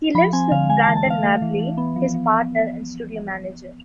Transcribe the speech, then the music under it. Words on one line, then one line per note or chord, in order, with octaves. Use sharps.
He lives with Brandon Mably, his partner and studio manager.
F3 B5
C4 G#5
D3 F5
G#3 G#5
A5
E3
A5
E3 F5
A3
E3
E3
B3
F3
F3